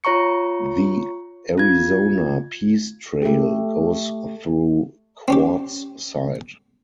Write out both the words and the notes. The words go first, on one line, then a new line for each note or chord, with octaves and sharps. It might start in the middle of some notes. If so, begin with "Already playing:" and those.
The Arizona Peace Trail goes through Quartzsite.
F4 C#5 A#5 C#6 C#7
F4 G#6
A3 G4
C4 C#4 G4